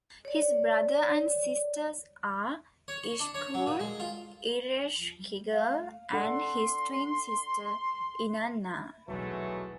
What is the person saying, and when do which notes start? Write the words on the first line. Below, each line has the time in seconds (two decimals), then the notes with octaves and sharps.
His brother and sisters are Ishkur, Ereshkigal, and his twin sister Inanna.
0.25 C#5 D5
2.88 C#5
3.04 C#6
3.20 D4
3.35 C#5
3.54 F#3
3.67 A#2
3.80 G#3
4.00 F4
5.53 F5
6.12 D4 A4 F#5 C6
9.08 D#1 B1 E3 F#3 G#3 A3